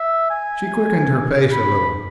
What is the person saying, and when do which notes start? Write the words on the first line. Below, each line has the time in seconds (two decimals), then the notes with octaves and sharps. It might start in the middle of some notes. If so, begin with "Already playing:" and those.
She quickened her pace a little.
Already playing: E5
0.30 G#5
1.52 B5